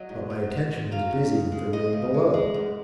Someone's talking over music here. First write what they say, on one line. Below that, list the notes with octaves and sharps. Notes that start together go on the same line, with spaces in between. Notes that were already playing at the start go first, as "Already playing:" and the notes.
But my attention was busy with the room below.
Already playing: F#3 D#5
G#2
F#3
G#2
G#2
F#3 F5
G#2
C#3
G#3
G#3 D#5
C#3
G#3
G#3
F#2